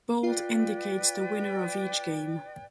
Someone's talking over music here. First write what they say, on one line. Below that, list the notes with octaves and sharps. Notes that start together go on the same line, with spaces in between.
Bold indicates the winner of each game.
F4 B4 D5 F5 G5